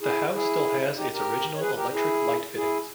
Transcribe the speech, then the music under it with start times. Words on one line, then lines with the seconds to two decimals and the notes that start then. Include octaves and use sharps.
The house still has its original electric light fittings.
0.01 E4 G#4
0.33 E4 G#4
0.96 D#4 G4
1.12 G4 A#4
1.55 C#5
1.60 G#4 B4
1.76 G4 A#4
1.91 E4 G#4
2.56 E4 G#4